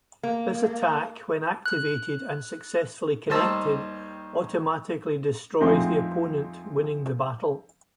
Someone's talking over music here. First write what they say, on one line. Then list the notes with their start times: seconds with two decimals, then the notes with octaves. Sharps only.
This attack, when activated and successfully connected, automatically destroys the opponent, winning the battle.
0.23 A#3
1.66 F#6
3.30 D#2 G3 C5 D#5 A5 E6
5.60 F2 G#3 A3 C4 D4 D#4